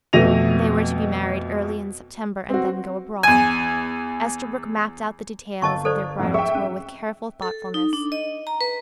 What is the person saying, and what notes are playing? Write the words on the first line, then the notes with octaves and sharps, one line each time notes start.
They were to be married early in September and then go abroad. Esterbrook mapped out the details of their bridal tour with careful thoughtfulness.
F2 B2 A3 A#6 D#7 F7
C4 F#4
E2 G#5
G1 D#5 A5 C#6
A4 C5 D5
F2 G#2
G#4 E5 G5
C#4
A4
D#4
D4
D#5
A#5
B4